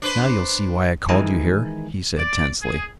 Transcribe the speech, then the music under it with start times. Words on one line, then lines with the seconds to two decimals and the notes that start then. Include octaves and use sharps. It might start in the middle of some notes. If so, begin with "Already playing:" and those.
"Now you'll see why I called you here," he said tensely.
0.02 D4 B4 C5
1.09 D#3 E3 G#3 D#4 E4 G#5
2.17 D5
2.62 G#4